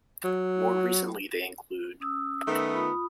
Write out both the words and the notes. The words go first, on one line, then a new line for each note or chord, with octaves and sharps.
More recently, they include...
F#3
C#4 D#6 E6
D#3 A3 B3
F4 B5 D#6